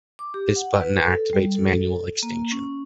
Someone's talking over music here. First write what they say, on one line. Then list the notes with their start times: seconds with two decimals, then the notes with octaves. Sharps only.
This button activates manual extinction.
0.19 D6
0.34 G4
0.56 F#5
0.81 B4
1.04 A4
1.33 G3
1.55 A4
2.23 A#3
2.52 C#4